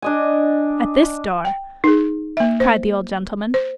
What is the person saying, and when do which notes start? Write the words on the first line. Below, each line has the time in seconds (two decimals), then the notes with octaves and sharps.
'At this door!' cried the old gentleman.
0.02 D4 D#5 G#5
1.45 G5
1.84 D#4 G#4
2.37 A#3 E5
2.60 C5
3.54 C5